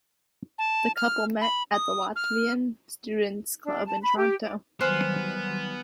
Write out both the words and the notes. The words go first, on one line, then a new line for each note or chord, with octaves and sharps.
The couple met at the Latvian Students Club in Toronto.
A5
F6
B5
D#6
F6
D4
A5
B5
G4
D5
D#3 F#3 G3 B3 C5 G#5 F6 F#6